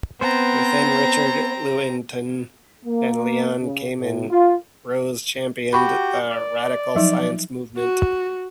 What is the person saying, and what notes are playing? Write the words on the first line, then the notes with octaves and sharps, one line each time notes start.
With Richard Lewontin and Leon Kamin, Rose championed the "radical science movement".
B3 C4 C5 A#5
A#3
C#3
A2
F4
F#4 G4 B5 C#6 G6
D5
F3 F#3 D#4
F#4